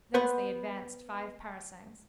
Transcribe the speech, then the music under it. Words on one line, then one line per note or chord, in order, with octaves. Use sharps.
Thence they advanced five parasangs.
B3 B4 C5 F#5